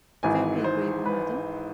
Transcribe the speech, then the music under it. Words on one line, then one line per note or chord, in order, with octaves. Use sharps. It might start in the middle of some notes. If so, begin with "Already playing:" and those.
"Very agreeable, madam."
G#1 G#2 E3 G#5
C5
B4